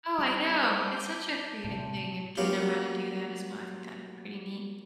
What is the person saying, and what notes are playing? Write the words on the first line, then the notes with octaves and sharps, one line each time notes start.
Oh, I know, it's such a creative thing and to know how to do that as well, I think that'd be pretty neat.
G3 A5 D6 G6 D7 F7
C5 D#7
A2 C3 A5
F#3 A#3 B3 C#4 F4 G4